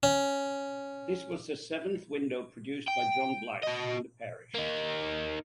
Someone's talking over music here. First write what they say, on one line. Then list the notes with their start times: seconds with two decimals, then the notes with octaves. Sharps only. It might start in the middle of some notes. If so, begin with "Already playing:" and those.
This was the seventh window produced by John Blyth in the parish.
0.03 C#4
2.88 G5
3.63 F#4 D#5
4.55 A#3 D#4